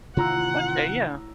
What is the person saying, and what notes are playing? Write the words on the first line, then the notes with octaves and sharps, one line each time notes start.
Okay. Yeah.
A2 C3 D#3 E3 F4 F#5 A#5 E6